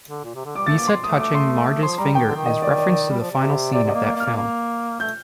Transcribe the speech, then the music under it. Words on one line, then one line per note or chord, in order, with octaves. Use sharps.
Lisa touching Marge's finger is reference to the final scene of that film.
D3
A#2
C3
D3
G3 D6
A3 A6
A#3 D6
C6
A3 D#6
D6
C6
F3 C6
G3 A#5
D#3 G5
D3
D#3
D#5
D5
D5
D5
G3
F3
C3
C3 D5
C3 D#5
A#3
A#3
A#3
F6
A#3
A#3
A3 G6